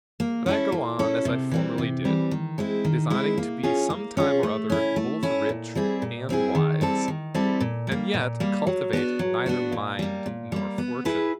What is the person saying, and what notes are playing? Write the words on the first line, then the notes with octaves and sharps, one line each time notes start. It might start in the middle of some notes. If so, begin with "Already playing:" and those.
But I go on as I formerly did, designing to be some time or other both rich and wise; and yet cultivate neither mind nor fortune.
A#3
C#4 E4 A4
A#3
C#4 E4 A4
C3
E3 G3 C4
C3
E3 G3 C4
D#3
G#3 C4 E4
D#3
G#3 C4 E4
A#3
C#4 F4 G#4
A#3
C#4 F4 G#4
A3
C#4 E4
A3
C#4 E4
A#2
G3 C4 E4 G#4
A#2
G3 C4 E4 G#4
D#3
G3 C4 E4 A4
D#3
G3 C4 E4 A4
A#2
G3 A#3
A#2
G3 A#3
F#3
B3 D4 F#4
F#3
B3 D4 F#4
A#2
G3 A#3
A#2
G3 A#3
B3
E4 G#4 B4